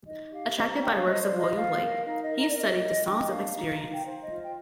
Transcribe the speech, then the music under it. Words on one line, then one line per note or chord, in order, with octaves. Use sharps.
Attracted by the works of William Blake, he studied the "Songs of Experience".
D#4 D#5
G4 F5
C5 D#5
A#5
D4 G5
F5
C5 D#5
D5
F4
D#5
F4 F5
A#4
D#4 F5
D#5
A#4
D#5
D5
A#4 D#5
A#4
D4 G5
D#5
D4 F5
D#4
D#4
G5
C5 F5
D#5
F4
G5